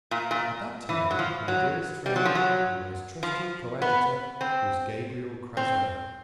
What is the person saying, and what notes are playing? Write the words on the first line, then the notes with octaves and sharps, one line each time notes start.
At that time my dearest friend and most trusted coadjutor was Gabriel Crasweller.
A#2
A#2
E3
F#3
F3
F#3
G3
F#3
F3
F#3
F3
B3
C4
C4